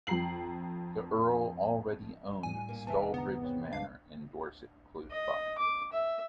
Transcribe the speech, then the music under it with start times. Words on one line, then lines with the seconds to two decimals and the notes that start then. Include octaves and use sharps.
The Earl already owned Stalbridge Manor in Dorset close by.
0.07 F2 G5 A#5 C7 F#7
2.43 A2 G3 G#5
2.69 A#2 A#3
2.87 E2 G#2 C3 E5 A5
3.14 D3 B3 D4 A#5
3.44 B4 C#5 G5
3.73 G3 G#3 D4 F5
5.11 D#5
5.58 D6
5.93 E5